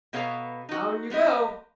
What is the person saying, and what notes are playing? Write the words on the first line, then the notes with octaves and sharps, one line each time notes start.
'Down you go!
B2 B3 A4 C#5 F5 A#5
D#4 F#4
G3 B3 C4 D#5